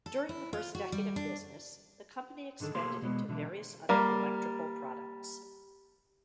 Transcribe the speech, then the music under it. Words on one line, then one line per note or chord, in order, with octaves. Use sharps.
During the first decade of business, the company expanded into various other electrical products.
A4
E4
F4
F#4
G3
D4
G#2 D3 D#3 A4
B1 A#3 G4 C6
B2 G#3 B3
B2 D3 E3
G3 A#3